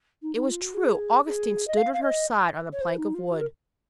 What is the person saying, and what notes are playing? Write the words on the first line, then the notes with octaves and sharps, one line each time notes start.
It was true; Augustine stood at her side on the plank of wood.
D#4
D#4
F4
F#4
G#4
G#4
D#5
F5
F5
D#5
C#5
C5
D#4
F4
F#4
A#4